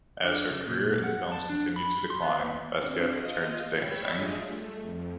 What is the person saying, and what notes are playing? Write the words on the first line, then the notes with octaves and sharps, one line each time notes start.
As her career in films continued to decline, Basquette returned to dancing.
D4
C#3
A#2
F#5
A5
D4
B5
C6
B3
C4 D4
F4 D#5
C#5 G5 B5 C#6 E6
G3 D4 F4 G#4 D#5 E5
A3
F2